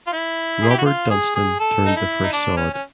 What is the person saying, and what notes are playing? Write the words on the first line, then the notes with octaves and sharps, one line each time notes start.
Robert Dunstan turned the first sod.
F4
E4
G#4
G4
F#4
F4
G#4
G#4
A4
D#4
E4
D#4
D4
C#4
C#4